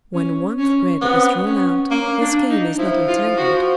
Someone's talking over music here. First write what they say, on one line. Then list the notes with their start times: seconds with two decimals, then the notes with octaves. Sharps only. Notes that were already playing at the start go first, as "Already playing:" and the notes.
When one thread is drawn out, the skein is not untangled.
0.14 C#4
0.58 C#4
1.02 B3 C4
1.46 C#4
1.90 A#3 C#4
2.20 D4
2.50 D#4
2.79 F3 E4
3.08 F4
3.37 F#4